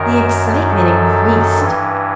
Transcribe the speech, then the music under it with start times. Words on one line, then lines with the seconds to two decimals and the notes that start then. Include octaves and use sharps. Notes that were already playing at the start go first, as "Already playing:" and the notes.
The excitement increased.
Already playing: F#2 D#3 A#4
0.70 A4
1.59 G2 E3